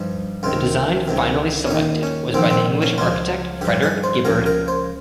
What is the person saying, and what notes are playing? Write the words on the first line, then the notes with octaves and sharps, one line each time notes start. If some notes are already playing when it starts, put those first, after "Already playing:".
The design finally selected was by the English architect Frederick Gibberd.
Already playing: G2 F3 D#4
C#2 C3 D#3 F4
C#2 C3 D#3
C#4
D#2 D#3 D#4
C#4
A#1 G#2 D#3 C4
C4
C#4
C#2 C#3 F3 F4
G2 F3 G4
G#4
C5
C#2 C#3 F3 A#4
A#4
C5